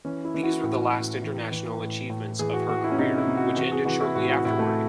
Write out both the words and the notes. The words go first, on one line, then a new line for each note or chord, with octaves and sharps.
These were the last international achievements of her career, which ended shortly afterward.
E3 C#4
E4
E3
F#4
A2
A2
E3
E3
A2
A2
E3 G#4
F#4
E3 F#4
E4
C#4
C3 D#4
E4
C3
F#4
E3 F#4
G#4
E3 F#4
E4
A2 F#4
F#4
A2 E4
A3